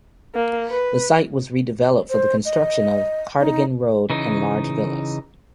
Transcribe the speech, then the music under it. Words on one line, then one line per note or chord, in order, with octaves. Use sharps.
The site was redeveloped for the construction of Cardigan Road and large villas.
A#3
B4
C5
D#5
D#4
C#3 E3 D#4